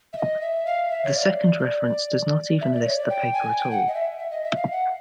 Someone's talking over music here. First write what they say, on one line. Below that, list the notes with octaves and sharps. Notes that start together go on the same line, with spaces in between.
The second reference does not even list the paper at all.
E5
D#5
E5
F5
E5
C#5
D5
E5
D5
C#5
D5
G5
G#5
G5
F#5
D#5
E5
E5
D#5
E5
F5
F#5